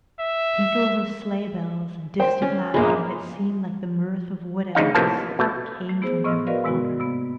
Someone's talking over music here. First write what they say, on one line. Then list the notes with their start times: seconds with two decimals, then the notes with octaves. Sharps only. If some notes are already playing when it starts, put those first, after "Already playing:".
Tinkles of sleigh bells and distant laughter, that seemed like the mirth of wood elves, came from every quarter.
0.19 E5
2.20 C5 G5
2.42 C#4
2.74 A#1 G#3 A#3 B5
4.75 D2 C#3 D#4 F5
4.95 A1 C3 E3 F3 A#3 A5
5.39 B2 A3
5.89 A3
6.02 B3 E4 G#4 C5
6.24 A2 B3 D#5 C6 E6 F6
6.47 F#4 A#4 B4 D5 D#5 F5
6.64 G#2 C3 G#3 B3 E4 F#4
7.00 C3 A#3 B3